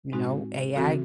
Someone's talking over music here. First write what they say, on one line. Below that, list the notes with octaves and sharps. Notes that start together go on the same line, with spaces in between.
you know, AI
A2 G#3 C4 D#4 F#4
C#3 E3 C4 F#4 A4